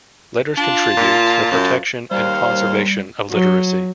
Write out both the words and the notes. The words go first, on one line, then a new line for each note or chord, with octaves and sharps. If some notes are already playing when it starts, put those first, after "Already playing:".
Letters contribute to the protection and conservation of literacy.
D4 F4 A5
A#2
F#2
D#2 G3 C5 F5
F#3